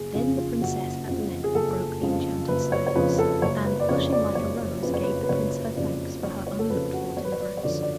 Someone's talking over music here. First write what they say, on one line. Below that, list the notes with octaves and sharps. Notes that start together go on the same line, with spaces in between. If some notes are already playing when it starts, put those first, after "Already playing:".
Then the princess at length broke the enchanted silence, and blushing like a rose, gave the prince her thanks for her unlooked-for deliverance.
Already playing: F#1 G#4
F2 C#3 F3 G#4
F4
F#1 F#4
F2 C#3 F3
G#4
F#1 A4
F2 C#3 F3
F#1 B4
C#5
C#5
F2 C#3 F3 B4
A4
F#1 C#5
B4
D5
F2 C#3 C#5
D5
F#1 C#5
F2 C#3 B4
C#5
B4
B4
F#1 C#5
F2 C#3 D5
F#1 C#5
C#5
A4
F2 C#3 B4
F#4
G#1 C#5
B4
C#5
D5
C#5
F#2 D3 F3 D5
D5